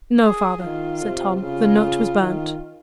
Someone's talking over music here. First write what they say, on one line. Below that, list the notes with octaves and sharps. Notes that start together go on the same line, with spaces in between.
"No, father," said Tom; "the note was burnt."
G#4
D#3 F4
C3
C#3 F4
D#3